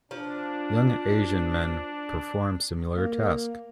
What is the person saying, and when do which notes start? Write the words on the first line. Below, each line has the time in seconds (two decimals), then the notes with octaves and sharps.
Young Asian men perform similar task.
0.11 F3 D4
2.97 A#3